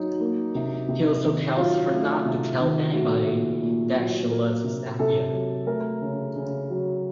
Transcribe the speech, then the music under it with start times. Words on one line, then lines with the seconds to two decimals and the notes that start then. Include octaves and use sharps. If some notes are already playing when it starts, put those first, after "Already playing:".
He also tells her not to tell anybody that she loves Sathya.
Already playing: F#3 D#4
0.20 A#3
0.55 C3
0.88 C3
1.24 D#3
1.57 F#3 F4
1.92 A3
2.25 C3
2.60 D#3
2.94 A3 F#4
3.28 A#2
3.62 A#2
3.96 F#3
4.30 A#3 A#4
4.64 C3
4.99 C3 A4
5.33 F#3
5.67 A3 A#4
6.02 C#3
6.36 C#3
6.70 F#3